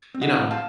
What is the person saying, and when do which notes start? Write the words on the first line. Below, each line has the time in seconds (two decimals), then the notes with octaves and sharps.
you know,
0.14 C4
0.21 D#5 F#5
0.36 A2
0.51 F5 A5